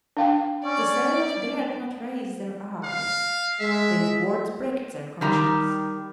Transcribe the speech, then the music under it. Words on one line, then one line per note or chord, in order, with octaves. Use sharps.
The sailors dared not raise their eyes; these words pricked their conscience.
D4 F5 G5
C#4 D5
F5
G#3 E5
D#3 G3 A#5